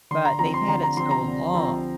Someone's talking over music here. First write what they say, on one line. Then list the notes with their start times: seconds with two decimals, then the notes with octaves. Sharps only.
but they've had it so long.
0.11 D3 C6
0.25 A#5
0.39 F3 C4 A#5
0.54 C6
0.68 D3 A#5
0.83 A#5
0.97 F3 C4 C6
1.11 A#5
1.26 D3
1.54 F3 C4